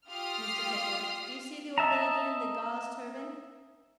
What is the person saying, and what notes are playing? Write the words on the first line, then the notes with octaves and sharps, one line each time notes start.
Mr. Pickwick, do you see the old lady in the gauze turban?'
F4 G4 D#6 F6 C7
D#5 E5 A5 A#5